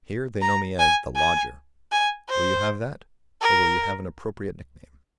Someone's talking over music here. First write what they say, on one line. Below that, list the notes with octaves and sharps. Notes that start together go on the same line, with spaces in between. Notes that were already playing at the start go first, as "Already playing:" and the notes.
Here, they know me as The Lodger. Will you have that? or will you have an appropriate nick-name?
A#5
G#5
G#5
G#5
C5
A#4